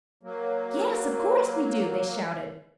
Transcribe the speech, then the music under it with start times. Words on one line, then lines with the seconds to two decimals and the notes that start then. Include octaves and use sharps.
"Yes, of course we do," they shouted.
0.23 F#3 A#3